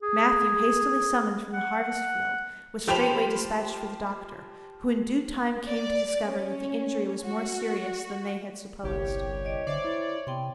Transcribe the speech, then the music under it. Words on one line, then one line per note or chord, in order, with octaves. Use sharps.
Matthew, hastily summoned from the harvest field, was straightway dispatched for the doctor, who in due time came, to discover that the injury was more serious than they had supposed.
G#4
F#5
F3 G4 C5 G5 B5 F7
D5
C#4
F#4
G1 C2 G4 C#5
D5 D#5
D3 C5 D5 E5 D6
E4
C3 B3 G5 C6